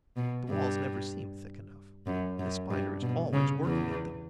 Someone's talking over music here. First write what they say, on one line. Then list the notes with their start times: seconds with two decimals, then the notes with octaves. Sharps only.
The walls never seem thick enough; the Spider is always working at them.
0.17 B2
0.49 G2
2.07 F#2
2.39 F#2
2.70 G2
3.02 B2
3.33 C#3
3.65 E2 E3